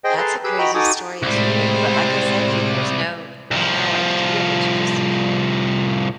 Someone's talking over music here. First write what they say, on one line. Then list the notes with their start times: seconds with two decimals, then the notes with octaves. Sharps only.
That's a crazy story too, but like I said, you there's no no idea what you just
0.04 G#4 C5 D#5 G5
0.17 G#4 A4 B4 A5 A#5 C6
0.44 G4 G#4 B4 E6
0.58 F#4 D#5 G5 A#5 B5
0.74 D#4 F#4 A4 G#5 D6 D#6
1.22 C2 A2 G3 G#3 C5 G#6
3.51 C2 F3